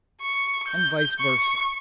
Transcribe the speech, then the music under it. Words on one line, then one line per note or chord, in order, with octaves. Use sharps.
And vice versa.
C#6
G6
C#6